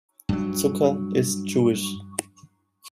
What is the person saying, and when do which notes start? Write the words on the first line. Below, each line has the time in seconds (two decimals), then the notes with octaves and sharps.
Zucker is Jewish.
0.29 G2 F#3